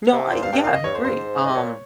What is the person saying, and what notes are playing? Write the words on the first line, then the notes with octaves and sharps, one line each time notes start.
No, I yeah, I agree. Um
C3
A#2 C5
G2 F5
G2 G5
A#2 F5
D#5
G2 C#5
F2 C5
G2 C5
G#2
D#5
A#2 C#5